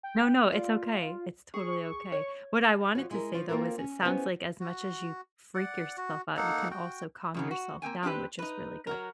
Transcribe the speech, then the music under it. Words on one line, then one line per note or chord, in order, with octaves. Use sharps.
No, no, it's okay. It's totally okay. What I wanted to say, though, is it sounds like as much as you freak yourself out, you can also calm yourself down, which is really good.
G5
F4 D5
G#4 C#6
C#5
F3 F#4 C#5
G#3 E4 A#4
F3 F#3 F4 C#5
A#3 C4 F4 A4 A#4
C#4
B3 C#4 E4 G4 C5 E5
F#4
D5 F#5
F#4
A#3 D#4 A4 F#5
F#4 G5
F2 C#3 F#3
F#4
A#3 C4 G5 G#5
C4 D4 F#4 G4 B4
D#4 B4
F#3 F#4 A#4